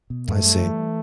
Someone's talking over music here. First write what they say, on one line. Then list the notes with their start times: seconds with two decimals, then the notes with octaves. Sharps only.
I see.
0.10 B2
0.27 F#2 A3
0.45 G3
0.62 E3